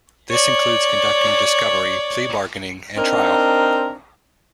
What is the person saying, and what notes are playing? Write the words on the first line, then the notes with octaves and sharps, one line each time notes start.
This includes conducting discovery, plea bargaining, and trial.
C#5 D5
C4 D4 D#4 A#4